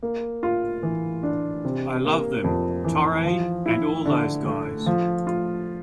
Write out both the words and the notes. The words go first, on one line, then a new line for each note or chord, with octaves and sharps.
I love them, Torre and all those guys.
A#3
F4
E3
D4
C3
A#3
F2
E3
F3
E4
D3
A3
F3
F4